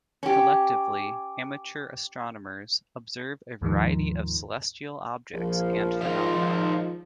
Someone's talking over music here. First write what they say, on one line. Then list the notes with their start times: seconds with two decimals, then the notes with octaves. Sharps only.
Collectively, amateur astronomers observe a variety of celestial objects and phenomena.
0.23 C#4 G4
3.62 D#2 G#2 D#3 F3
5.33 A#1 F3
6.01 G#1 D#4 F4
6.33 F3